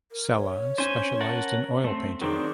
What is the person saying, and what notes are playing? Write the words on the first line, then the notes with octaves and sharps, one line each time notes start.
Sella specialized in oil painting.
A#4
C#5
C#4 C5 G#5
A#4 F#5 A5
A3 C4
D#3 F#3 C4 D4 G#4